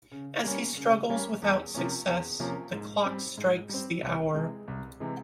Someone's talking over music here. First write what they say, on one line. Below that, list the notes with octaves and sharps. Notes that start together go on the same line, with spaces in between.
As he struggles without success, the clock strikes the hour.
C#3
G3 A#3 C#4
C#3
G3 A#3 C#4
E2
C3 F3 A#3 C#4
E2
C3 F3 A#3 C#4
G#2
G3 C4
G#2
G3 C4
C2
C3 E3 G#3
C2
C3 E3 G#3